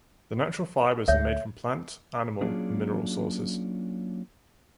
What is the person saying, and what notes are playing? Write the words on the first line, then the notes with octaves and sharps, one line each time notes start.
The natural fibers are made from plant, animal and mineral sources.
D2 C#5 E5
F#3 A#3 C#4 D4 F4 G#4